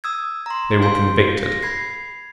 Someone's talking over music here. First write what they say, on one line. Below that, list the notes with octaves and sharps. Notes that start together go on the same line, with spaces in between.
They were convicted.
D#6 E6 G#6
A#5 C6
F5 C6 G6 D7
A#6
B5 G#6 C7